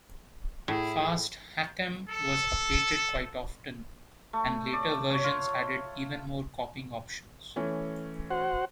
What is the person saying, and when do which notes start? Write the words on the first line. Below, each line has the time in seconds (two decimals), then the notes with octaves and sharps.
"Fast Hack'em" was updated quite often, and later versions added even more copying options.
0.68 A2 E4 G#4
2.09 A4
4.33 A3
4.73 D5
5.11 C#5
5.24 F4
7.56 E3 A3 C#4
8.30 F#4 C5 F#5